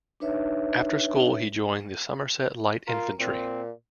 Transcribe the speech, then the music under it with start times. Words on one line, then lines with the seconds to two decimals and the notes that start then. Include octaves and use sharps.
After school he joined the Somerset Light Infantry.
0.20 D4 D#4 B4 C#5 E5
2.88 F4 A#4
3.20 A#2 C4